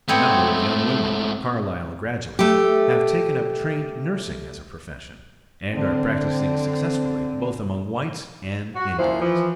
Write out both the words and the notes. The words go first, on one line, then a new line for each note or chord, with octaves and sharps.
A number of young women, Carlisle graduates, have taken up trained nursing as a profession, and are practising successfully both among whites and Indians.
G#2 A3 B3 C4 C#5
A3 G4
D3 C4
F#4
A#2 F3 E4 C5
E3 F3